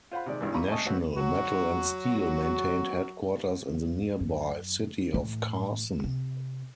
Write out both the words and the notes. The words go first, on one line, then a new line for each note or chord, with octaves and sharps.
National Metal and Steel maintained headquarters in the nearby city of Carson.
F4 C5 F#5 B5
C3 D#3 G#3 D5
G#1 G2 E3
E4 F4 G4 A#5 B5 C#6
D#5 E5 G#5 A5 C#6 D#6
A3 C4 F#4 B4 C#5
F#3 F#4
F#2
A2 E3
C3